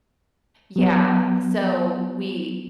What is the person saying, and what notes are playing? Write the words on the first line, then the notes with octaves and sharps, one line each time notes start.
yeah, so we
F#3 B3